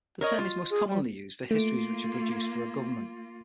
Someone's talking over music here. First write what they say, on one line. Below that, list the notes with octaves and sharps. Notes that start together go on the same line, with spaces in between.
The term is most commonly used for histories which are produced for a government.
A#4 C#5 D#5
F4
G#4
G3
A3 A#3 F4 D7